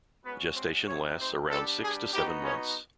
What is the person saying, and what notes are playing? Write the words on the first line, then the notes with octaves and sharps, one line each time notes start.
Gestation lasts around six to seven months.
G#3 B3 C#4 F#4 B4
C4 C5
A3 C4 C#4 D#4 G4 C#5
C4 C5
G3 A3 B3 D4 G4 A4
G#4
B3 D#4 F#4 G4
C#4 C#5